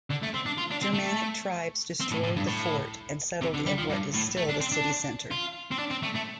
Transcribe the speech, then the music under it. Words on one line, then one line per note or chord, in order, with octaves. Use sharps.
Germanic tribes destroyed the fort and settled in what is still the city centre.
D3
A3
C4
D4
F4
D4
C4
A3
C4
A2
A2
G2
A2
C3
D3
G3
F3
G2
A2
A3
D4
C4
D4
F4
C4
D4
C4
A3
A3